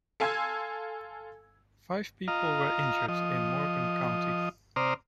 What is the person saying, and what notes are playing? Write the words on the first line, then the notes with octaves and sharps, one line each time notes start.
Five people were injured in Morgan County.
A4 F5 G#5 C6 E6 G#6
F4 D#5 F5 A#5
F3 D#5
C3 C5 D5 A#5 D#6 F6